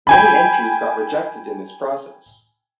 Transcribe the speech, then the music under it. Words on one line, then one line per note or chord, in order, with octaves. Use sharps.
Many entries got rejected in this process.
G5 G#5 B5